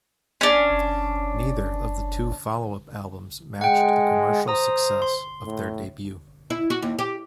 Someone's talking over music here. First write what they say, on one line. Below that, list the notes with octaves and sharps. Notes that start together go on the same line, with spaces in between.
Neither of the two follow-up albums matched the commercial success of their debut.
C#4 D4
G#3 F#5 G5
C5 A#5 D#6
C6
A2
E4
F#4
D#2
G4